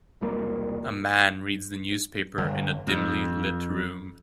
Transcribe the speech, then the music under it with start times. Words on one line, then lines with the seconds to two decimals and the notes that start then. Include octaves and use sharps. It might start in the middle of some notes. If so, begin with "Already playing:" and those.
A man reads the newspaper in a dimly lit room.
0.21 E1 C2 G3 A#3
2.38 G1
2.87 F2